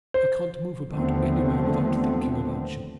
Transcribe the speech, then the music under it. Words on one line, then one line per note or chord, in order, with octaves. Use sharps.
I can't move about anywhere without thinking about you.
C5
D#2 D3 F3 A3 B3 C4